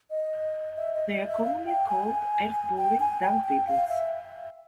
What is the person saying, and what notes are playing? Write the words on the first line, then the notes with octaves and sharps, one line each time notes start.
They are commonly called earth-boring dung beetles.
D#5
E5
D#5
D#5
E5
F5
G5
G#5
G5
G#5
G5
G5
F5
E5